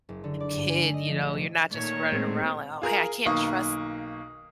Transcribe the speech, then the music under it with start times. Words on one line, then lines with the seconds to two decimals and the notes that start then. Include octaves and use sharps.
kid, you know, you're not just running around like, "Oh, hey, I can't trust
0.09 F#1
0.24 D3
0.40 D5
0.56 G2
0.69 G#5
0.82 A3
0.94 D#5
1.09 F3
1.21 A#1
1.33 C3
1.73 A#2 D#3 A3 C#5
2.12 A2 G#3 C4
2.82 F4 G#4 A#4
3.26 B1 D#3 A#3 C#6 D#6